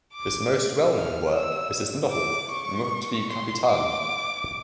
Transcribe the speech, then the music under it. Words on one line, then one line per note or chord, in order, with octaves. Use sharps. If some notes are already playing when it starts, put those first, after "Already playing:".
His most well-known work is his novel, "Mrtvi kapitali".
D6
F6
E6
D6
C#6
C6
D6